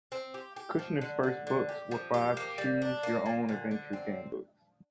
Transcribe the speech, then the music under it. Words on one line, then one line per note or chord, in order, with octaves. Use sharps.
Kushner's first books were five Choose Your Own Adventure gamebooks.
C4
G4
G4
F3
D3
D3
D3
G4
F3
G4
A#3
G3
D4
A#3
A#2
D3
D3
C4